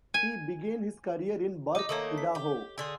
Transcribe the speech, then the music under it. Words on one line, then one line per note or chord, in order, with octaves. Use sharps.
He began his career in Burke, Idaho.
G#5
D#4 D#5 D6
D#3 A3 A#3 A4 C#5
B6
G4
D3 G#4 C6 E6